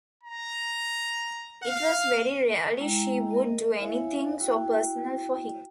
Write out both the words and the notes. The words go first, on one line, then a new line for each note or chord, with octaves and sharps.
It was very rarely she would do anything so personal for him.
A#5
F5
G#3 E4 G5 A#5
A#4 D#5
E4 C#5 E5 F5 G#5
E4 F#4 G5